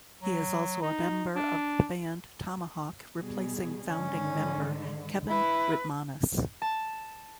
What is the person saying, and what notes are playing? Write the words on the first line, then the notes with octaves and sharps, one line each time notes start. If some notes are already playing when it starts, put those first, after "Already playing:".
He is also a member of the band Tomahawk, replacing founding member Kevin Rutmanis.
F#3
D#4
D4
B2 G3 G#4
G#2 D3 D#3 C#4
E4 B4
A5